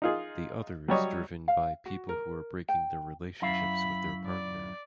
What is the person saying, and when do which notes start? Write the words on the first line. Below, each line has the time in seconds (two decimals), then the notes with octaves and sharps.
The others driven by people who are breaking their relationships with their partner.
0.02 D#4 F4 G#4
0.88 F#3 G3 C#5 D#5
1.48 F5
1.86 F#4
2.09 A#4
2.69 G5
3.42 F#2 E4 F5 B5
4.26 D5